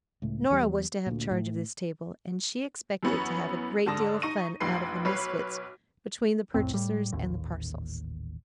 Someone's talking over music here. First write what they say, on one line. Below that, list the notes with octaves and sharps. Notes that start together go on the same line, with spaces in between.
Nora was to have charge of this table, and she expected to have a great deal of fun out of the misfits between the purchasers and the parcels.
C#2 A2
E2 G3
D2 A#2
A2
F#2 E3 B3 C#4 F#4
G#2 D3 A5 D#6 A#6
D#4 C#6 A#6 D#7
F1 A#1 D#4 B4 C6 C7
B1 B4 C#5 B5 C7
C2 F2 A2 C4
A2 G3
D#1 A1 D#2